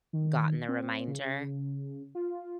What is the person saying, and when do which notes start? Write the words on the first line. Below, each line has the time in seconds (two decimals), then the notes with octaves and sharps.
gotten the reminder
0.13 D#3
0.69 C4
1.08 C#3
2.15 F4